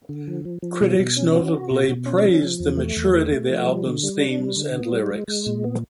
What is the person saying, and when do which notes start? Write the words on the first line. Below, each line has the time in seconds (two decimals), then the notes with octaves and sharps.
Critics notably praised the maturity of the album's themes and lyrics.
0.09 D3
0.27 F3
0.45 F3
0.62 F3
0.81 B2
0.99 B2
1.16 C#4
1.35 F#4
1.53 F#4
1.71 B2
1.88 B2
2.06 C#4
2.24 F3
2.42 F3
2.60 E2
2.77 A3
2.96 E2
3.14 A3
3.32 A3
3.50 F3
3.67 G3
3.86 D3
4.03 G3
4.21 D4
4.39 G3
4.56 D3
4.75 B3
4.93 G3
5.10 G#3
5.28 G#3
5.46 A#2
5.64 B3